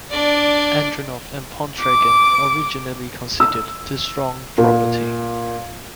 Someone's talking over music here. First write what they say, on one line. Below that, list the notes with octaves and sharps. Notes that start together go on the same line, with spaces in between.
Andronov and Pontryagin originally considered the strong property.
D4 D5
D6
E6
A#2